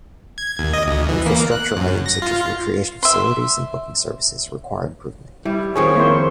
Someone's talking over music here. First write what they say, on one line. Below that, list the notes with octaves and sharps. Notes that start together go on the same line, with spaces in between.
Infrastructure items such as recreation facilities and booking services require improvement.
G#6
D#2
D#5
D2
E3
A#3
F#6
F#2
A#6
F4
E5 C6
G3 E4
F2 D#3 F3 G#4 C#5 C#6
A#3 E4 C5